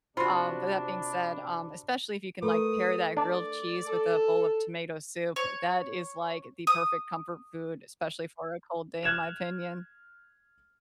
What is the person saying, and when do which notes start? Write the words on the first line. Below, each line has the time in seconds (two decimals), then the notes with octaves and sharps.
Um, but that being said, um, especially if you can, like, pair that grilled cheese with a bowl of tomato soup, that is like the perfect comfort food, especially for a cold day in my opinion.
0.17 C3 D4 F4 F#4 C5 B5
2.42 A3 A#4 B4 D#6
3.17 D4 D5
3.86 A4
5.36 C#5
6.67 D#6
9.03 F6 F#6 G#6 E7 F7